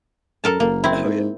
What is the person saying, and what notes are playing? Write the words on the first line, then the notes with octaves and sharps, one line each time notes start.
Oh, yeah.
F#2 A4 A#4 A5
F#1 A#3
C4 E4
G#2